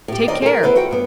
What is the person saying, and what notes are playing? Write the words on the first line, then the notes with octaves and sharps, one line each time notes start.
Take care!
A2 G4
D#2 D#3 C4 D5 D#5
G#4 A#4
B3 E4 B4 C5
F3 F#4 F#5 G5
G2 B3